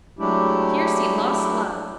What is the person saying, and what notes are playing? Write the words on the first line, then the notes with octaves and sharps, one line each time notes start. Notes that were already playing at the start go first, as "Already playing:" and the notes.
Here see lost love.
F#3 G#3 A3 D4 E4 G4